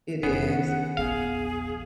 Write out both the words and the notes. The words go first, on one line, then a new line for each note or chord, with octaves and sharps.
It is.
F1 F#2 E3 B3 C#4 G#4
D#3 F#5
E1 A#1 B3 G#4 F5